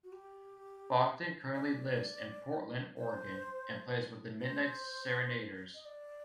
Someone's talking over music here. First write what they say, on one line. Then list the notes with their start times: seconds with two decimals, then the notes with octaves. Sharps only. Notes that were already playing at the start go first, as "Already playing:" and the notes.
Bogdan currently lives in Portland, Oregon and plays with the Midnight Serenaders.
0.04 F#4
0.12 G4
1.55 D5
2.98 C5
4.41 C5
5.75 D#5
5.85 D5